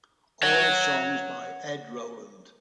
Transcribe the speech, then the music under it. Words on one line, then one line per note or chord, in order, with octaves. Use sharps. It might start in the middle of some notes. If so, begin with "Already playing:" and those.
All songs by Ed Roland.
C#5 F#5